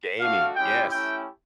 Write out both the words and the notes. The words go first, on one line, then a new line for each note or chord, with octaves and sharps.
Gaming. Yes.
A3 D4 F#4 F5
G#3 C#4 E4 G4 G5
A3 C#4 E4 G4 G5